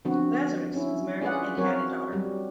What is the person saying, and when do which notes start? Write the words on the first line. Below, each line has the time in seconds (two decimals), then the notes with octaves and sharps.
Lazarus was married and had a daughter.
0.05 D3 F3 B3 C4 F#4
0.74 C#4 E4
1.21 C#4 F4 G#4 B4 D5 F#5
1.57 F#3 C4 F#4 A#4 C#5
2.12 F#3 G3